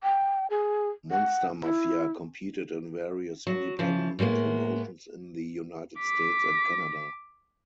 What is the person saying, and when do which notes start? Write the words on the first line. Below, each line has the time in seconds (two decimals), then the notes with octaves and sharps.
Monster Mafia competed in various independent promotions in the United States and Canada.
0.03 G5
0.50 G#4
1.11 F#5
1.63 E4
3.47 F#3
3.79 C#3 E3 F3
4.19 A2 G3 G#3 A#3 B3
5.99 D6 B6